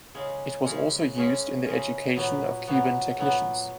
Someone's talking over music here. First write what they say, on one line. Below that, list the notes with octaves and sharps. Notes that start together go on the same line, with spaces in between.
It was also used in the education of Cuban technicians.
C#3 G#3 C#4
C#3 G#3 C#4
C#3 G#3 C#4
C#3 G#3 C#4
A#2 F#3 B3
A#2 F#3 B3
A#2 F#3 B3